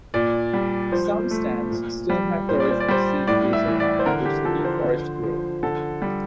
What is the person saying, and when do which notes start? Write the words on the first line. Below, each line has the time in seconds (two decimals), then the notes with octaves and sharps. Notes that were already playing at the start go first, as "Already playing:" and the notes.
Some stands still have their original seed trees around which the new forest grew.
0.14 A#2 D5
0.53 G3
0.92 F3 C5
1.31 A3
1.71 A#2
2.10 G3
2.49 A#2 C5
2.60 D5
2.71 C5
2.80 D5
2.88 G3 C5
3.27 A2 D5
3.53 E5
3.67 E3
3.80 D5
3.99 C5
4.06 D3 A#4
4.26 G4
4.45 F3 A4
4.59 A#4
4.65 C5
4.84 D3
5.23 F3
5.63 D3 A4
6.02 G3